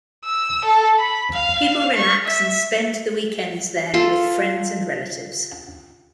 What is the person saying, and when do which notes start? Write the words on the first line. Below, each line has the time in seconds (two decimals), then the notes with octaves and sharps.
People relax and spend the weekends there with friends and relatives.
0.25 E6
0.65 A4
0.99 B5
1.33 F5
1.96 C#6
2.25 E5
3.94 F4 A4 C6